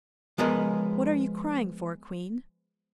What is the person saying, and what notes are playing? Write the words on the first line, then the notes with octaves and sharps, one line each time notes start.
"What are you crying for, queen?"
F3 G#3 B3 A#4 D#5